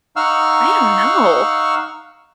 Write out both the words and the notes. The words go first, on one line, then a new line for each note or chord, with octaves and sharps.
I don't know,
D#4 F5 F#5 C#6 E6 F6